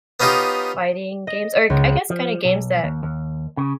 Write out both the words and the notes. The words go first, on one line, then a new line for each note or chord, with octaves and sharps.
fighting games or I guess kinda games that
B3 C#4 D#4 F4 G4
D#5
C#2
F3
B1
D#2
D#2
C#3